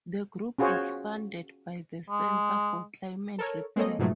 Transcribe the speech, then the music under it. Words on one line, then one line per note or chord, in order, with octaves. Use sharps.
The group is funded by the Centre for Climate Repair.
C#4 F4 F#4 G#4 C5 C#5
G#3
A4 A#4 C#5
G#3 A#3 C4 A4 C#5 D#5
G#2 B2 F3 F#3 G#3 A3